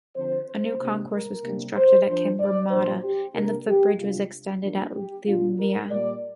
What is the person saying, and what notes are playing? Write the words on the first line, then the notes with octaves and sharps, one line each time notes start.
A new concourse was constructed at Cabramatta and the footbridge was extended at Leumeah.
D3 F3 C4 C5
C5
C3 A#3 D4
A#4
C3 G3 A#3 D4
C5
F3 D4 C5
D5
A#2 F3 D4 C5
G4
C3 A#3 D4 A#4
G4
C3 G3 D4 F4
F3 A#3 D4
G4
A#2 G3 D4 F4
A#4
A#2 G3 A#3 D5